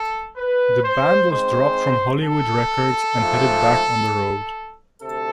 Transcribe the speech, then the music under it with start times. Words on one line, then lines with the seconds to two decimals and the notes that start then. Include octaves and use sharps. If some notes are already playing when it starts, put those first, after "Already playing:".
The band was dropped from Hollywood Records and headed back on the road.
Already playing: A4
0.38 B4
0.84 C5
1.31 G#2 G#3 C4 C5
2.23 A4
3.16 G#2 F3 A3
5.01 D2 C3 A4